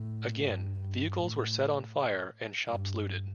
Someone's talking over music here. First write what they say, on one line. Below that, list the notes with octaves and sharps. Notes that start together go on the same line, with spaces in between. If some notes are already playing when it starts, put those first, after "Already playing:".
Again, vehicles were set on fire and shops looted.
Already playing: A2
G2
G2
A2
G2